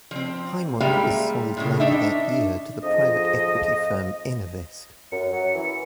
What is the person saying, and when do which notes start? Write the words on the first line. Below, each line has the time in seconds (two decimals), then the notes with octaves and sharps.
HighMont was sold later that year to the private equity firm EnerVest.
0.11 F3 C4
0.80 G3 G#3 A#3 E5 F5
1.57 A2 C#3
1.80 D4 D#4 E5
2.83 F2 G#2 F3 D#5
5.12 F#2 C#7
5.32 F#3
5.54 E3